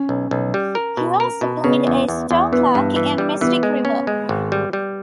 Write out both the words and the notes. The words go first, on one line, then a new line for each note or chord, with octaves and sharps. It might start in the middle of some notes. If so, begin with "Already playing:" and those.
He also played a store clerk in "Mystic River".
Already playing: C#4
B1
B1
G3
A#4
B2
A#4
B2
C#3 B3
E2
E2
E2
E3 B3
G2
E3
G3
E3 B3
G#3
C#4
G#3
G#1
G3
G3